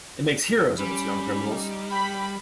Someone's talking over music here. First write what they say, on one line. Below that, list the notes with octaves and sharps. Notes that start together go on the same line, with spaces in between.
It makes heroes of its young criminals.
G3 C#4 B5
D#4
G5 B5